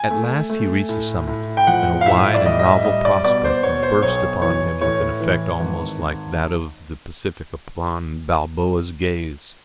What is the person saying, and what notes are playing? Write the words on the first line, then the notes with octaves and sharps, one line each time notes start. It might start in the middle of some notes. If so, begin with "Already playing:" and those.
At last he reached the summit, and a wide and novel prospect burst upon him with an effect almost like that of the Pacific upon Balboa's gaze.
Already playing: G#5
A3
A3
A2
A2
G5
F3 F#5
F5
A2 E5
D5
G3 D#5
D#5
E5
G3 D#5
D5
B2 D5
C5
B2 C#5
C5
B1 C#5
E3 C#5
A2 C#5
E3
G#1